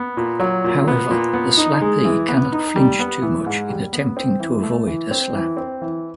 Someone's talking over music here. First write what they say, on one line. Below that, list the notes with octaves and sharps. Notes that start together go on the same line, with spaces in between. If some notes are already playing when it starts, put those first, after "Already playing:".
However, the slappee cannot flinch too much in attempting to avoid a slap.
Already playing: B3
A#2
F#3
A#2
B3
A#2
B3
D#4
G#3
E3
B3
D#4
G3
B3
E3
G#2
G3
B3
C4
E3
A3
E3
C4
E3
C4
E3